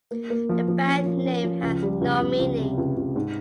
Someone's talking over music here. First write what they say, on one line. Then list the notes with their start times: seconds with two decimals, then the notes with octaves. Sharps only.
The band name has no meaning.
0.11 A#3
0.30 A#3
0.49 F3
0.68 F3
0.87 C#4
1.06 F3
1.25 C#4
1.44 F3
1.63 C#2
1.83 G3
2.01 C#2
2.20 C#2
2.39 C#2
2.58 C3
2.78 C#2
2.97 C#2
3.16 G#2